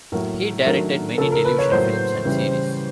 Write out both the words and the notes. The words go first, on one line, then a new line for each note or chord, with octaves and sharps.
He directed many television films and series.
A2 F#3 A#3 A#4
D#3 F#3 A3 D4 A#4
C#3 F3 A#3 C#4 A4
A#4
B4
C#5
A2 F#3 A#3 C5
C#3 E3 G3